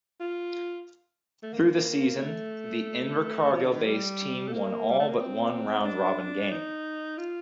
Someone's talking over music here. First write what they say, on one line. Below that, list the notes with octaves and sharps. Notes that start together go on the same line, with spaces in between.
Through the season, the Invercargill based team won all but one round robin game.
F4
A3
A#3
A3
F3
D3
D#3
G3
A3
A#3
G3
A3
A#3
C4
D4
D#4
F4